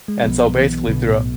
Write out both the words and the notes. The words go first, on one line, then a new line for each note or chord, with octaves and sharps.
And so basically throughou
G#3
B1 B2 F3 B3
E3
B1 B2 D3 B3
A2